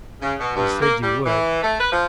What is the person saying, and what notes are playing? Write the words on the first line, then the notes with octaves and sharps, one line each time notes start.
You said you would.
C#3
B2
G2
A#3
G3
E3
A3
B4
F3